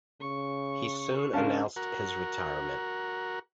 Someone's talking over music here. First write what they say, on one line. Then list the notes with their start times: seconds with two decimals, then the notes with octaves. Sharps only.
He soon announced his retirement.
0.21 C#3 C#6
1.33 C#3 C#4 D4 A#4 F5 A5
1.76 F#4 A#4